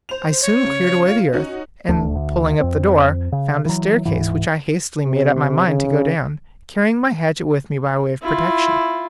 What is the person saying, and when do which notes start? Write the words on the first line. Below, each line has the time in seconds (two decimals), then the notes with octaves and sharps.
I soon cleared away the earth, and pulling up the door, found a staircase, which I hastily made up my mind to go down, carrying my hatchet with me by way of protection.
0.09 C5 F7
0.41 C#5
0.64 C#3
1.07 F4 F5
1.33 C#4 D#4 F#4
1.89 D#1 D2 A3 D4
2.16 D2
2.61 F2 C4
3.32 C#3
3.65 E3 F#3
4.05 D1 G#2 E3
5.04 C3
5.67 C#3
8.22 E4 F4